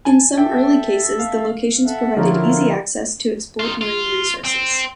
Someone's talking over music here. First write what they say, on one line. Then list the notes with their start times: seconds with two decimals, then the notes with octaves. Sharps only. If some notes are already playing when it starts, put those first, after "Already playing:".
In some early cases the locations provided easy access to exploit marine resources.
0.05 G#5 A5
0.38 A4 E5 G5
1.19 F5
1.86 A4 E5 F#5
2.16 D3 F3 C#4 E4 F4 A#4
3.59 D#4 F4
3.81 F4
4.45 C4